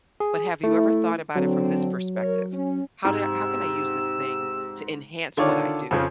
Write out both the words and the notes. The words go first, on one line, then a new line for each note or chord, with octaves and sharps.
but have you ever thought about it from this perspective? How do how can I use this thing to enhance what I do,
G#4
A3 E4
D3 F#3 C4
A#4 C#5
C#4
G#2 C3 E6
D3 D#3 F4 C#5 D5
F2 C#3 F3